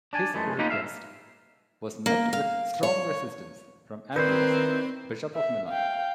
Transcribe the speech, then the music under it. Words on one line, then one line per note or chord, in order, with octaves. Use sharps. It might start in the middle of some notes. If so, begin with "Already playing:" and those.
His request was met with strong resistance from Ambrose, Bishop of Milan.
D4 D5 G#5
F#2 E3 G#3 A3
A#3 D#4 F4 G4 A#4 B4
G#2 G#3 E5 F5
A#3
F5
C#5
D#3 C4 D#4 E4 B4 C5 D5
E5
F5 G5